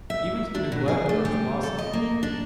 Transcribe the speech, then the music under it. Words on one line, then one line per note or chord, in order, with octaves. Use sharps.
Even to the neglect of her philosophy.
E5
D4
B2
G#4
A3
G3
A4
D#5
A#3
D4